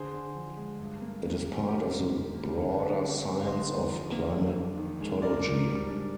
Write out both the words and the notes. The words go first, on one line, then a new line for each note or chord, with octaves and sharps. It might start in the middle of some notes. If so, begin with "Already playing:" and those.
It is part of the broader science of climatology.
Already playing: D3 G#4 C5
D3
F3
G#3
G2
A#3
D#3
G3
G#2 G4 A#4
D4
D#3
A#3
D3
D3
G3
C4
F5
D3 C5 D#5
D#4
F3
A#3
F2
D4
D#3
G#3
G#2 A#4 D5
G#2
G3
D4